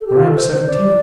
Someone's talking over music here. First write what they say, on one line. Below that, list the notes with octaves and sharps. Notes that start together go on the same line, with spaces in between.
When I am seventeen.
A4
G4
F4
A4
C5
C5
D5